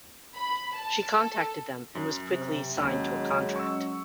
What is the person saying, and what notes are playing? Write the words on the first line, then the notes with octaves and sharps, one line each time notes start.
She contacted them and was quickly signed to a contract.
B5
A5
A4
F#2
C3
D#2 F#3 G#3 C#4
C#6 E6